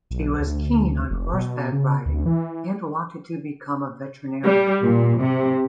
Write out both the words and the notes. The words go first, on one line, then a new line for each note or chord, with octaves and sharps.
She was keen on horseback riding and wanted to become a veterinarian.
B1
D2
F1
B2
C#3
D2
E3
G3
A#2
C3